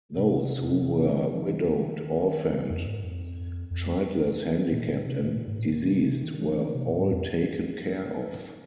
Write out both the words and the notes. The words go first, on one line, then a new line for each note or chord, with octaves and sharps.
Those who were widowed, orphaned, childless, handicapped and diseased were all taken care of.
C3
D#3
F3
D#3
F2
G#2
F2
F2
A#2
C3
A#2
A#2
G#2
A#2
D#3
C3
C3
D#3
F3
D#3
C3
A#2
G#2
F2